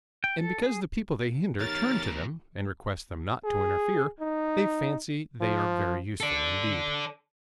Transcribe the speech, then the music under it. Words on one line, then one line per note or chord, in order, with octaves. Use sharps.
And because the people they hinder turn to them and request them not to interfere, they fancy they are very useful indeed.
G5
A4
G#4
E2 D#4 G4 A#4 C#5 F6 A6
G#4
D#4
F3
A4 D5